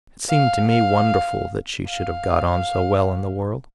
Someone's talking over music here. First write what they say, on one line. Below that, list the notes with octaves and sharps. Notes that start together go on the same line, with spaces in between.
It seemed to me wonderful that she should have got on so well in the world.
F5
F5
F5